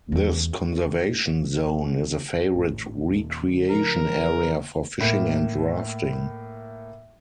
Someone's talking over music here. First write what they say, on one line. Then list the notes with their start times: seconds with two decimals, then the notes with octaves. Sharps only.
This conservation zone is a favorite recreation area for fishing and rafting.
0.12 E2
2.55 G#1 A2
3.12 D#2 A#2 A#3
3.46 D3
3.70 C#3 F3 D4 A#4
5.00 A2 A#3 E7